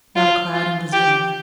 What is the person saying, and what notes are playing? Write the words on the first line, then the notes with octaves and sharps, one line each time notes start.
Not a cloud in the zenith.
F4
F4
G4